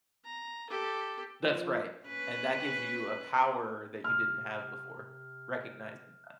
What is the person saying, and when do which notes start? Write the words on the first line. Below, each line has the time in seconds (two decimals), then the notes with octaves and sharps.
That's right, and that gives you a power that you didn't have before, recognizing that.
0.24 A#5
0.70 G4 A4
1.43 F3
2.07 C#4 B4
4.04 C3 F6